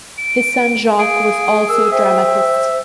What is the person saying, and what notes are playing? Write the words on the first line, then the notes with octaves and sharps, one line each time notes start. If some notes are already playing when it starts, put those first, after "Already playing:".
His son, Jacques was also a dramatist.
D7
G#4 F5 D7
A#4 E6
C5 E5 G5